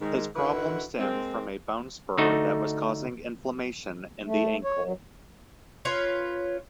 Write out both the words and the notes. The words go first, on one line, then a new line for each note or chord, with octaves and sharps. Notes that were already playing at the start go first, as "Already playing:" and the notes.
His problems stemmed from a bone spur that was causing inflammation in the ankle.
G#2 D#3
D3 D#3 E4 F#4 B4
G#3 A#3 C4
D3 A3 D#4 F#4
A3
C#5
F#3
C#4 F4 B4 C#5